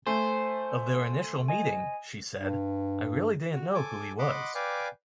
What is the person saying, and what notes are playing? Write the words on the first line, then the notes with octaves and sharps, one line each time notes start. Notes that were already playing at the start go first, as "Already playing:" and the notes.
Of their initial meeting, she said, I didn't really know who he was.
A3 C5 G#5
D#5 G#5
G2
F#4
A4 G#5 D6
D#5 F#5 B5 C6 D6
B4 D5 F5 G5 G#5 D6